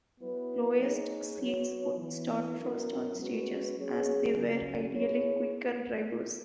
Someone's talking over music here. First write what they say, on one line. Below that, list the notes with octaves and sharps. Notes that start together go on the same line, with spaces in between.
Lowest seeds would start first on stages, as they were ideally quicker drivers.
F#3 B3 E4 B4
A#3 D#4 G#4 C#5
F#3 B3 F#4 C#5
E3 B3 E4
F#3 C#4 E4 A#4
G#3 C#4 F#4 B4
F#3 A#3 C#4 G#4 C#5
C#3 F#3 C#4
A#3 E4 G#4 C#5